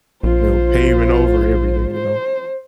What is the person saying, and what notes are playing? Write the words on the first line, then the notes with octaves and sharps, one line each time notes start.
you know, paving over everything, you know?
A#1 F4 C5
C5